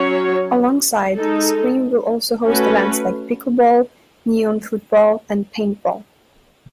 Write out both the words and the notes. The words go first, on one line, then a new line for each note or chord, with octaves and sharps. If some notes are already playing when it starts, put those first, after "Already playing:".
Alongside, Skream will also host events like Pickle-ball, neon football and Paintball.
Already playing: F#3 C#4 F#4 C#5
G#3 D#4 A4
A3 C#4 F#4 B4